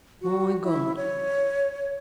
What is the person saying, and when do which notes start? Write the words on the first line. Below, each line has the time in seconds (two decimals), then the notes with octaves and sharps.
My God!
0.22 F#4
0.63 E4
0.97 C#5